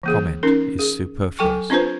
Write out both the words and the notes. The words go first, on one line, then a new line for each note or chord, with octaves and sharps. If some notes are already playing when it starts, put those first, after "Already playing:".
Comment is superfluous.
E3 A#3 G#4
C#4 D#4 A#4
G#4
F#3 A4 G5 G#5 C#6
C4 D4 F4 B4 C5